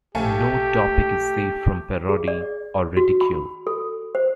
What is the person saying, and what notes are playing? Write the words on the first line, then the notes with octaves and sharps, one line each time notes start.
No topic is safe from parody or ridicule.
A#1 A3 G4 F5 G#5
G#4
D5
F#4
B5
A4
C5